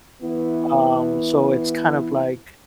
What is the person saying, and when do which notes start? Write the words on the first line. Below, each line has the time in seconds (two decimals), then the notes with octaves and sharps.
Um, so it's kind of like,
0.23 E3 B3 E4